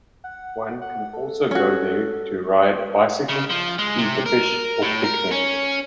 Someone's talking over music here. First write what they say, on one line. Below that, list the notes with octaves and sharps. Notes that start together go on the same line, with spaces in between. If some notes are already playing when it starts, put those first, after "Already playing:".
One can also go there to ride a bicycle, feed the fish or picnic.
F#5
F#5
A4
C#4 F#4
C#3
F3
G#3
C3
A#4
A2
A#4
C#4